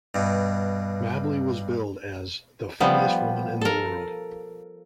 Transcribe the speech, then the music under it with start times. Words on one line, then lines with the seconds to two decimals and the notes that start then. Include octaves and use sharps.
Mabley was billed as "The Funniest Woman in the World".
0.15 G2 B2
2.80 F3 G3 B3
3.61 A4 A#4